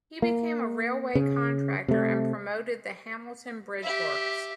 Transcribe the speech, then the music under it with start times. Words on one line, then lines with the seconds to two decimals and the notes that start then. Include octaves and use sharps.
He became a railway contractor and promoted the Hamilton Bridge Works.
0.22 A#3
1.15 C#3
1.88 C3 A3
3.83 G4 E5